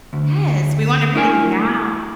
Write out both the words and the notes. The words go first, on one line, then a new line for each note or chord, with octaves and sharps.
Yes, we want everything now.
D2
A3 D4 E4 A#4 G5 G#5